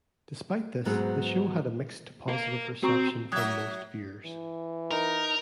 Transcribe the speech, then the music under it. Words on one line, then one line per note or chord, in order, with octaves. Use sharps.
Despite this, the show had a mixed to positive reception from most viewers.
G#2 F#3 B3 C4 G#4
A#4 F5
C4 F#4 A#5 C#6
F#3 E5 D#6 F#6 G#6
E3
D#4 A#4